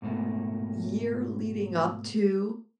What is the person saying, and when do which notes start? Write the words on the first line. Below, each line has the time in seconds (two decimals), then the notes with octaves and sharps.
year leading up to,
0.02 G#2 B2 A3 A#3